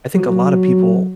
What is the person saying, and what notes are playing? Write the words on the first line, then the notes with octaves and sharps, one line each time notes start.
I think a lotta people,
F#3